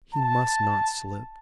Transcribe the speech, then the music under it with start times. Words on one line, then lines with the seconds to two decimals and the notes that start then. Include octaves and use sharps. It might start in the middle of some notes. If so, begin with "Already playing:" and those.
He must not slip.
0.14 A5